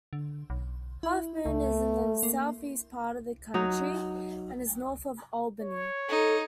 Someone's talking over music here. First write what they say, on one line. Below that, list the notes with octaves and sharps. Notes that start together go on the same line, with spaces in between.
Halfmoon is in the southeast part of the county and is north of Albany.
D3
B1
E4
C#2 A3
A#3
F#3 D#4
C#5
D#4 A4